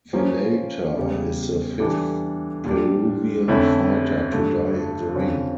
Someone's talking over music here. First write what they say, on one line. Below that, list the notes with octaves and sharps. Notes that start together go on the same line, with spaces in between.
Villalta is the fifth Peruvian fighter to die in the ring.
F3 A#3 C#4
E2 C#3 G3
E3 G3 D4 A4
A#2 G3 D4
F2 D3 A3 C#4 E4
G2 D3 A3
F2 D3 F3 C#4 F4